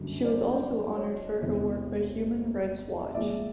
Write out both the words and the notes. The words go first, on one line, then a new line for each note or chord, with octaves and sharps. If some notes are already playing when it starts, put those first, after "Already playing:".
She was also honoured for her work by Human Rights Watch.
Already playing: F#1 F#2 D3 G3
C5 D5
C5 D5
C#5 D#5
E1 E2 C3 E3
C2 A#2 F3 G#3 D5 E5